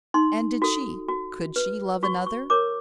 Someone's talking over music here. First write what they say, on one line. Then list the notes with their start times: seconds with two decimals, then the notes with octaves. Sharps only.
And did she, could she love another?
0.14 D#4 C6
0.62 F#4 A4
1.09 F#4
1.56 B4
2.03 F#4 C#6
2.26 C#6
2.50 A#4 C#5 D6